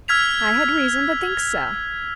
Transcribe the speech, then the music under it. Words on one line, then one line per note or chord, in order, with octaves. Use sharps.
"I had reason to think so."
E6 F6 G#6 B6 F7